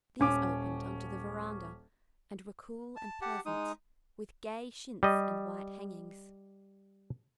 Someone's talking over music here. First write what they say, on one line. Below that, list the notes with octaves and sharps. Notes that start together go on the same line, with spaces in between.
These opened on to the veranda and were cool and pleasant, with gay chintz and white hangings.
D#1 C#4 D6
A5
G4 F#5 A5
G#3 D#4 D#6
G3 D#5